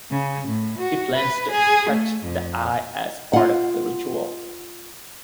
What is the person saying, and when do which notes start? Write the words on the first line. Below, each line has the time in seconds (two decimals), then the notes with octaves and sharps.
He plans to extract the eye as part of a ritual.
0.11 C#3
0.48 A2
0.78 F#4
1.16 B4
1.51 G#4
1.89 A3
2.24 F2
3.33 F4 F#5